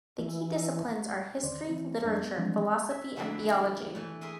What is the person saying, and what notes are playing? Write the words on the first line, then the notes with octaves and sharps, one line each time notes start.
The key disciplines are history, literature, philosophy and theology.
E3
D#2 D3 C5 D5
E3 C4 E4
F2 G3 D4 A#4 D5 G#6
B3
E3 F3 G3 G#3 C4 D4
E5
F2 D3 F#3 A#3 E4 E5
A#3
E3 A3
G#4 A#4 E5 G#5 C6